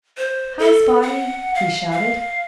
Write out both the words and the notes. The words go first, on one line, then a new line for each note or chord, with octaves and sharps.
"Hi, Spotty!" he shouted.
C5
A4
F#5
F5
F5